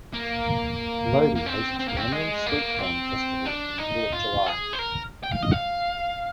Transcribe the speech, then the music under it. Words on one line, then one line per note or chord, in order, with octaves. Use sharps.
Lodi hosts the annual Sweet Corn Festival in the middle of July.
A#3
A#3
C4
C4
A#3
C4
G#3
A#3
C4
D4
D#4
F4
G#4
C5
A#4
G5
F5
D#5
F5